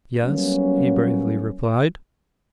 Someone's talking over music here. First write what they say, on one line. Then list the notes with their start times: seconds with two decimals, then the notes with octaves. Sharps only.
"Yes," he bravely replied.
0.23 F#3 G3 A#3 B3 C#4